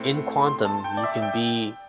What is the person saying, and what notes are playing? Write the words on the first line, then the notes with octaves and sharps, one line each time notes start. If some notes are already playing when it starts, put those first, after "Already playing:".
In quantum, you can be
Already playing: A2 A3 C4
C6
A5
G5
D5
E5
G5